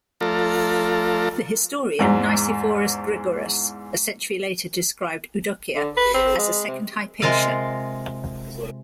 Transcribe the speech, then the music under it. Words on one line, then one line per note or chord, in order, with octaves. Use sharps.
The historian Nicephorus Gregoras, a century later, described Eudokia as a "second Hypatia".
F3 A3 F4 A4 D5 A#5
E2 G#2 A#5
D3
B4
C4
G#3
C3
C3 G#3 F4 A#4 F5